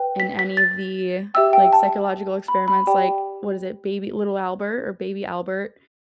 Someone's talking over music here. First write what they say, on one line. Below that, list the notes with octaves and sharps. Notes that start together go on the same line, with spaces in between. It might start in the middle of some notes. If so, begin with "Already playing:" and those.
in any of the, like, psychological experiments, like, what is it, baby Little Albert or baby Albert,
Already playing: B4 G5
B6
B6
A6
G4 E5 G5 E6
G5
A5
B5
B5
G4 D5 G5